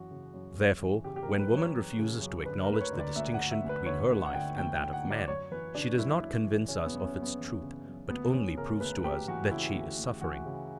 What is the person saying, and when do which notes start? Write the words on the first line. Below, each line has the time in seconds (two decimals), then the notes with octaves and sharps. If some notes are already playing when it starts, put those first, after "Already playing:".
Therefore, when woman refuses to acknowledge the distinction between her life and that of man, she does not convince us of its truth, but only proves to us that she is suffering.
Already playing: F#2 E3 F#4
0.11 C#3
0.34 F#2
0.57 F#2
0.81 E3
1.04 C#3 G4
1.16 G4
1.23 A#4
1.28 F#2
1.39 B4
1.51 F#2
1.57 C#5
1.76 E3
1.99 C#3
2.22 F#2
2.46 D3 B4
2.64 A#4
2.69 D2 B4
2.81 C#5
2.93 D3
2.99 D5
3.16 D2 E5
3.34 F#5
3.40 D3
3.51 E5
3.64 D2
3.69 B4
3.86 D3 C#5
4.10 D2
4.26 F#5
4.34 D3 G5
4.57 D2 G5
4.75 G5
4.80 D3
4.93 F#5
5.05 D2
5.10 D5
5.28 F#2 C#5
5.51 E3 B4
5.75 C#3 D4
5.98 F#2 E4
6.22 F#2
6.46 E3
6.68 C#3 C#4
6.86 B3
6.93 F#2
7.04 C#4
7.16 F#2
7.22 B3
7.39 E3
7.63 C#3
7.87 F#2
8.10 D2 B3
8.34 E3 C#4
8.57 C#3 A#4
8.80 D2 B4
9.04 D2 G4
9.28 E3 F#4
9.51 C#3 E4
9.75 D2
9.99 D2
10.21 E3 F#4
10.45 C#3